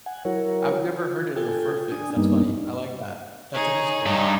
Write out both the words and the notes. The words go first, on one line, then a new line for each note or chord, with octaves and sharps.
I've never heard it as a fur fix, that's funny, I like that, that's interesting.
F#5 G#5
F#3 E4 F#4 A#4 C#5
F4
F4 A4 G5 G#5
D4 G#5 D#6
G2 G3 A#3 B3 D4 D#4
D#4 G#4 C#5
G2 D#4